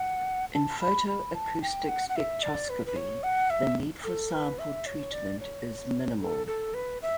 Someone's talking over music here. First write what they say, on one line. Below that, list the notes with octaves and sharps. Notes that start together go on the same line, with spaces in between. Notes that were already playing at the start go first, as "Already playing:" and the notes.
In photoacoustic spectroscopy the need for sample treatment is minimal.
Already playing: F#5
A5
B5
B5
A5
G5
F#5
F#5
E5
D5
B4
B4
C#5
F#5
E5
A4
B4
E5
C#5
D5
C#5
A4
A4
B4
E5